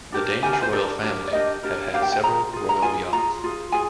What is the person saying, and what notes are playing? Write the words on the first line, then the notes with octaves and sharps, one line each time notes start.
The Danish royal family have had several royal yachts.
D4 G4 A#4
D4 G4 A#4 G#5
G#5
C5
D4 G4 A#4 D5
D4 G4 A#4
D5
D4 G4 A#4 D#5
D4 G4 A#4
D4 G4 A#4 F5
G5
G5
F4 G#4 A#5
F4 G#4
A#5
F4 G#4 G#5
F4 G#4 A#5
F4 G#4
F4 G#4 G#5